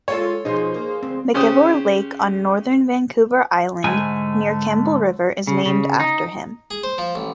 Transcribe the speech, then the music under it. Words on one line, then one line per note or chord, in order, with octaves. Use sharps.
McIvor Lake on northern Vancouver Island near Campbell River is named after him.
G#3 F4 A4 C#5
B2 F3 D#4 G#4 C5 C6
A#3
D2 C4
C#3 C#4 G4 C5 D#6
G#2 D3 A3 G#5
C#3
C#3
D#4
G#4
C5
F3
A1